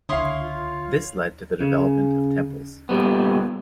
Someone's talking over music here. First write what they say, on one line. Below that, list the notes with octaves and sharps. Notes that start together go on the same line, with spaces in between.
This led to the development of temples.
C#2 D3 E4 C#5 F5 C6 D#6
F4
C#3
A#2 G3 B3